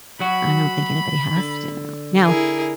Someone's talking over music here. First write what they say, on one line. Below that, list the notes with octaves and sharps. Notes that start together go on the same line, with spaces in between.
I don't think anybody has to know. Now,
F#3 F#4 B5
D3
E4 G#4 A#4